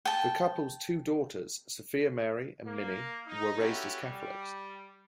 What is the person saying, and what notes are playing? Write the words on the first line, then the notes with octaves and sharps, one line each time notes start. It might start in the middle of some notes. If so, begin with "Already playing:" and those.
The couple's two daughters, Sophia Mary and Minnie, were raised as Catholics.
G5 A5
A#3
D#4
A3 C#4 E4 F#4 G4
G3